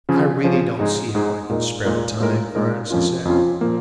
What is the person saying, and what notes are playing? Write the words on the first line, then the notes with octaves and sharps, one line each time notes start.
"I really don't see how I can spare the time, Carnes," he said.
C#3 F3 C#4 G#4
C#3 F3 C#4 G#4
G#2 G#3 D#4 G#4
G#2 G#3 D#4 G#4
A#2 G#3 D#4 A#4
A#2 G#3 D#4 A#4
A#2 G#3 D#4 A#4
A#2 G#3 D#4 A#4
F2 F3 C#4 F4
F2 F3 C#4 F4
A#2 F3 A#3